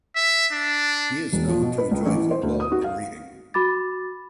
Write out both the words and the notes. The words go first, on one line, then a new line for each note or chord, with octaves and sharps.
He is known to enjoy football and reading.
E5
D4
E1
F3
B2
B4
C#2
A1
E3
C5
D2
D#6
F#4
F5
F#4 B5 D6 A6